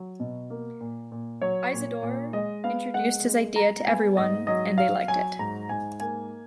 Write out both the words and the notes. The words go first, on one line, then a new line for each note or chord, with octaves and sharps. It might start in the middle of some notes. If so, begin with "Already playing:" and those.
Isidor introduced his idea to everyone, and they liked it.
Already playing: F#3
B2
A#3
A#2
A#2
F#3 C#5
A#2
A#2
G#3 D#5
B3 F5
G#3 F#5
G#3
G#3 A#5
B3 G#5
G#2 D#5
F#3 D#5
F#3 F5
F#3 G#5
G#2 A#5
G#2 G#5
A#3 G#5